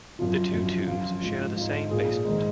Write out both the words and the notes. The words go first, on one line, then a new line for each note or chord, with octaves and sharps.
The two tombs share the same basement.
F#2 F3 F4
F#2 F3
F#2 F3 F4
G#2 F3
G#2 F3 F4
A#2 F3 G#4
G#2 D#3